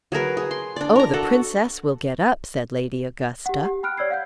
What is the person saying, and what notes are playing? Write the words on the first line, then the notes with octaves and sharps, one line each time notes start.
Oh the Princess will get up!' said Lady Augusta.
F#3 G#4 A#4 B4
G#4
C6
D4 D5
A#4 A#5
F#4 A4 D5
G4 F#5
G4
G5 B5 F6 F#6 D7
C#5 D5 E6 G#6 C7
F5 F#5 G6